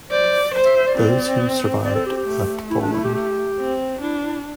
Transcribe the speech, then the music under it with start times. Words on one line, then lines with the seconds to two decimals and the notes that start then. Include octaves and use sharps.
Those who survived left Poland.
0.11 C5 D5
0.55 C5
0.65 E5
0.76 E5
0.87 D5
0.98 C4
1.84 C4 D5
1.95 A4
2.06 G4
2.17 G4
2.28 A3
2.70 E4
2.82 D4
2.92 E4
3.04 G4
3.14 G4
3.58 C4
4.01 D4 E4
4.23 E4